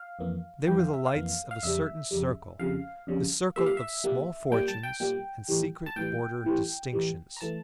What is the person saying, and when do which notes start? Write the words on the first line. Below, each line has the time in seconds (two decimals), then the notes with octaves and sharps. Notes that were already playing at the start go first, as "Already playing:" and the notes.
They were the lights of a certain circle--the circle of small fortunes and secret order distinctions.
Already playing: F5
0.19 F2 E3 A#3
0.67 F2 E3 A#3 G5
0.80 F5
0.94 E5
1.07 F5
1.15 F2 E3 A#3
1.51 F5
1.63 F2 C#3 G3 E5
2.11 F2 C#3 G3
2.59 F2 C#3 G3 F5
3.07 F2 C#3 G3
3.56 A#2 G3 A#3 E5
3.66 F5
3.77 E5
4.04 A#2 G3 A#3
4.52 A#2 G3 A#3 G5
4.68 A5
4.83 G5
5.00 A#2 G3 A#3 G5
5.48 A2 E3 G3
5.86 A5
5.96 A2 E3 G3 G5
6.44 A2 E3 G3
6.93 A2 E3 G3
7.37 A#5
7.41 E3 A3 A5